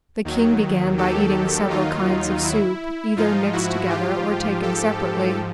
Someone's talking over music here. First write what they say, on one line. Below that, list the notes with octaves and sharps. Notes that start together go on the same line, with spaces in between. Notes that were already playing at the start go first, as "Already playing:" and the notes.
The king began by eating several kinds of soup, either mixed together or taken separately.
D#2 D#3 F#3
G4 A4
D#4 F4
E4
G#2 F3 D#4 F4
E4 F#4
F4 G4
G4 A4